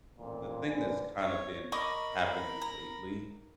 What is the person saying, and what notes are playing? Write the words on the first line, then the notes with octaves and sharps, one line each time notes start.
the thing that's kinda been happening lately,
A1 F2 A#2
A#1 D3 B4 D5 G#5
C#5
A#4 D#5 B5 C#6 D6
A#5